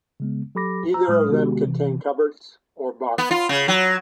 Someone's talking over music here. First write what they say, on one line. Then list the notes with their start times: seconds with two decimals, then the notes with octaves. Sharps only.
Neither of them contain cupboards or boxes.
0.20 C#3 G#3 B3
0.55 F#3 G4 A4 B5 D6 A#6
0.94 A#5 E6
1.08 A2 F#3 G#3 D#6 F6
1.29 C3 D#3 G#3 B3 F#4 G4
1.66 C3 E3
3.18 B3
3.31 F4
3.49 C#3
3.68 F#3